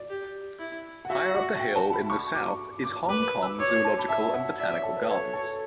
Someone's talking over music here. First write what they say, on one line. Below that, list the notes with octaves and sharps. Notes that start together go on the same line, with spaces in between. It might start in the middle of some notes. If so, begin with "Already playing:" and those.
Higher up the hill in the south is Hong Kong Zoological and Botanical Gardens.
Already playing: D5
G4
E4
F#5
F#4 E5
F#5
G5
A5
B5
C#6
D6
D6
B4 D6
E6
C#5 D6
A5
B5
E5 A5
F#5
D5 E5
C#5
A4
B4
A4 C#5
A4